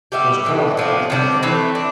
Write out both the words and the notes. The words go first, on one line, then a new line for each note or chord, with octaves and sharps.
It was Craw Craw Crawford?
G3 B3 E4 G4
C3 E3 A3
A2 F3 B3 D4
C3 G3 D4
E3 A3 C4
D4